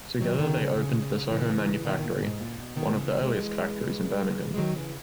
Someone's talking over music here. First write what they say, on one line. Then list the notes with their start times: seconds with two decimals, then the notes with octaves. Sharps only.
Together they opened the Soho Manufactory, one of the earliest factories in Birmingham.
0.21 D#3 F#3
0.39 B2 D#3
0.57 C#3
0.76 C#3
1.30 C#3 E3
1.85 B2 D#3
2.03 A#2
2.22 G#2
2.39 A#2
2.59 B2
2.76 B2 D#3
2.95 C#3 E3
3.21 E3 G#3
4.54 G#3
4.58 D#3 F#3
4.76 C#3 E3